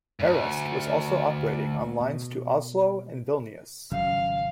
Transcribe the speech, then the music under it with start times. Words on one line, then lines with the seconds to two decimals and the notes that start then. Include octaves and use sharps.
Airest was also operating on lines to Oslo and Vilnius.
0.20 D2 G2
2.01 B2
3.92 G#1 C#3 F#3 F5